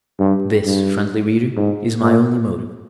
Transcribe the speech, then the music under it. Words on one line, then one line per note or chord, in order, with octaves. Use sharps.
This, friendly reader, is my only motive.
G2
G2
G#2
A#2